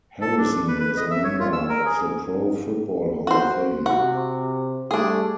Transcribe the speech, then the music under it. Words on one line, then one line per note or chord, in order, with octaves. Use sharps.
Harrison is a member of the Pro Football Hall of Fame.
A4
D4
B4
B4
D#5
E5
C#5
F4
E6
A#4
G#4
F#4 C5
C3 F#4
G3 A3 D4 G#4